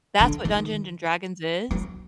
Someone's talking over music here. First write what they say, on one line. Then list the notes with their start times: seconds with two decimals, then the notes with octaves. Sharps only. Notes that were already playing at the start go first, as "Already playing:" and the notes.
That's what Dungeons& Dragons is?
0.20 D3
0.45 D#3
1.71 F#3